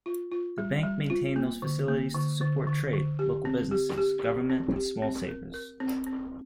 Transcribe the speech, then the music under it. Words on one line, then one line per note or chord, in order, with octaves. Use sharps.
The bank maintained those facilities to support trade, local business, government and small savers.
F4
F4
G3
G3
F4
A#3
D3
A#3
D3
D3
D3
D3
G4
C4
G4
G4
G4
C4
G4
C4
A#4
A#4
C4
C4